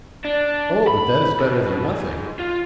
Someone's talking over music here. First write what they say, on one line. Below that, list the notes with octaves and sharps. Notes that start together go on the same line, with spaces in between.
Oh! but that is better than nothing....
D4
B5
B1 B2
B2
G#2
F4